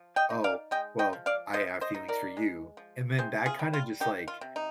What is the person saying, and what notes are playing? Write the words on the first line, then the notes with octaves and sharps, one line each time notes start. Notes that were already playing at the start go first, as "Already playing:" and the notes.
"Oh, well, I have feelings for you." And then that kinda just, like,
Already playing: F3
D#5 G5
D#4
D5 F5
G#3 D#5 G5
D#5 G5
F3
D5 F5
F3 C5 D#5
C5 D#5
D#4
A#4 D5
G#3
F3
C3 G#4 C5
F4 G#4
G3
F4
D#3 D#4 G4
F4
C3
D#4